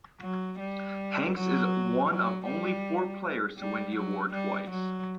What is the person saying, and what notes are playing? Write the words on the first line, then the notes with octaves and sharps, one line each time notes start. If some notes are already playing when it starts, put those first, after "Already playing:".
Hanks is one of only four players to win the award twice.
F#3
G3
F#3
F#3
G3
G3
F#3
G3
F#3